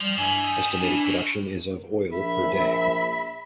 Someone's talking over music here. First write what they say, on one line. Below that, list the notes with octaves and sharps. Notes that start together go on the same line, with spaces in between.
Estimated production is of oil per day.
F3 G3
G2 E3 G#5
G3 D#5
E3 D4
A2
A#1 E5 B5